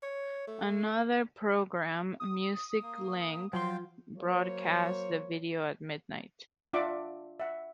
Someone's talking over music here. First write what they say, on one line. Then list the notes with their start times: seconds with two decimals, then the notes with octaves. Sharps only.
Another program, "Music Link", broadcast the video at midnight.
0.03 C#5
0.47 A3
2.20 D#6
2.83 A#3
3.53 F3 F#3 C5 F5 G5 C6
4.17 F#3 A#3 C5 C#5
6.73 D4 F4 D5 E5 F#5 D6
7.40 E5 F#5